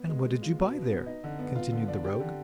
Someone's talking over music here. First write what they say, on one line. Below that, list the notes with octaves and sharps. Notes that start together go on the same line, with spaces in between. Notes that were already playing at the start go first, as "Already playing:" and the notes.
'And what did you buy there?' continued the rogue.
Already playing: B3
G#3
G#3
F4
B2
B2
B3
D#4
D3
B3
F4
D3
D4
G4
D3